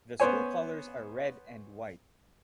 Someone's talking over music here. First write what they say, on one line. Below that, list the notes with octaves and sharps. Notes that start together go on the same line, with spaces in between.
The school colors are red and white.
B3 C#4 C5 C#5 G#5